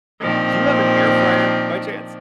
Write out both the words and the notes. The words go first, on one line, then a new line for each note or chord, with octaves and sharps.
do you have an air fryer, by chance?
A#2 D#3 F3 C4 D4